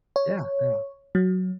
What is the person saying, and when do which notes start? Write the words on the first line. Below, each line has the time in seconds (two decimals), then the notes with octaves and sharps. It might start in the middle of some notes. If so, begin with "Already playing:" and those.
Yeah, yeah.
0.16 C#5
1.15 F#3